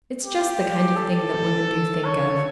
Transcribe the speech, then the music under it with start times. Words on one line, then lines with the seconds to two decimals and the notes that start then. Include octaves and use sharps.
"It's just the kind of thing that women do think of."
0.25 G4
0.96 A4
2.05 C#5